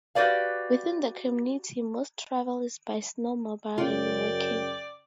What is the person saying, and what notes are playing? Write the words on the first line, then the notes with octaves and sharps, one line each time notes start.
Within the community, most travel is by snowmobile and walking.
F#4 G4 B4 D5 F5
F#2 C#3 F4 D5 G5